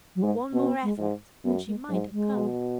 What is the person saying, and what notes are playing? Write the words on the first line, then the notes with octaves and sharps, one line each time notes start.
One more effort, and she might have come.
F#3
G#2 G#3
B2 B3
C#4
B3
G#3
G#2
F#2 B3
G#3
G#2 F#3
G#3
B2